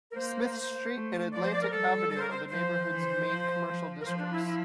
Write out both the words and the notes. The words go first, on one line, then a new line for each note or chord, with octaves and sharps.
Smith Street and Atlantic Avenue are the neighborhood's main commercial districts.
A#4
A#3 C5
A3
F3 D5
C5
D5
A#4
G3 A4
A4
C5
A#4
C5
F3 C5
E3
F3
F3
A#4
F3 C5
D4
E4
E4